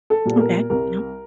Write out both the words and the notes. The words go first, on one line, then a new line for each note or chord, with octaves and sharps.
Okay, yep.
A4
A#2 G3 B3
A4
A#4
C2 A#4